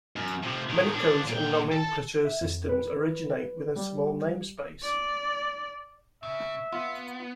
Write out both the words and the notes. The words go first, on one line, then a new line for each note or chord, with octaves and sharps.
Many codes and nomenclatural systems originate within a small namespace.
F#2
C3 F3
A2 D#3
F3 D4
A#2 G5
A4 A5
E5
F2
B4
G3
D5
C#3 E5
B3 F4